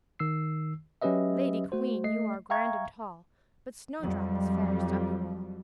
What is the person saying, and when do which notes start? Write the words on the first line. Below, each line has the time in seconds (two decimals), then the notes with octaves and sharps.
"Lady queen, you are grand and tall, But Snowdrop is fairest of you all."
0.19 D#3 E6 C7
1.02 F#3 C#4 G4 B4 D#5 E5
1.72 A3 F#4 C5
2.04 A3 D#5 C7
2.50 E5 F5 G5 A#5 C#6 G#6
4.03 F2 F#3 G3